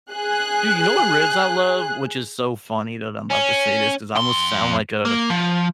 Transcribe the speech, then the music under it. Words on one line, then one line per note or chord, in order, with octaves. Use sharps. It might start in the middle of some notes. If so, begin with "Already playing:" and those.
Dude, you know what ribs I love? Which is so funny that I'm 'bout to say this, 'cause I almost sound like a
G#4 F#6
C#4
F2 C6
A#3
F3